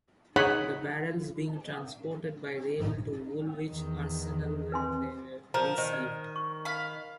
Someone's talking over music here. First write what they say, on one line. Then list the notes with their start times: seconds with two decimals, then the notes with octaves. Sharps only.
The barrels being transported by rail to Woolwich Arsenal where they were re-sleeved.
0.36 D#4 G#4 C#5 F#5 G#5 B5
3.67 E2 D#3
4.72 C4 B4 G#5 C6
5.54 F3 A#4 A#5
5.78 D#3 C5
5.93 D5
6.36 C#6
6.65 F5 B5